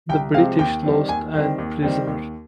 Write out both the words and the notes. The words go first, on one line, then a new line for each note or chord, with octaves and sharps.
The British lost and prisoner.
C2 G5
C3 F3 G#3 C4 F5
D#2 G5
D#3 G3 C4
D#2 G#5
D#3 G3 C4
D#2
D#3 G3 C4
D#2